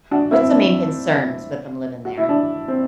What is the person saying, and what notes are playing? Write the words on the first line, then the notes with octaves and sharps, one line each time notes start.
What's the main concerns with them living there?
D4 F#4
C4 E4
D4
F#4
E4
D4
C4